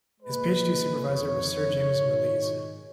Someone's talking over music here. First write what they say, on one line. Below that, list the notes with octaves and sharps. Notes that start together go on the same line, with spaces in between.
His PhD supervisor was Sir James Mirrlees.
A#2 G#3 B4
F2 D#3 G#3 C#5
G#2 D#3 G#3